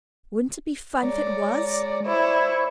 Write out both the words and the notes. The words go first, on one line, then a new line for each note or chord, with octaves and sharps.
Wouldn't it be fun if it was?
G#3 C#5 D5 A#5
E4 C5 D5 C#6